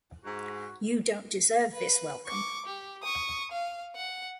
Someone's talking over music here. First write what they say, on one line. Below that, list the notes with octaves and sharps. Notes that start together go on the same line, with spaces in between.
You don’t deserve this welcome.
G#2 F#4
B4
C#6 D6
G4
C#6 D#6
F5
F#5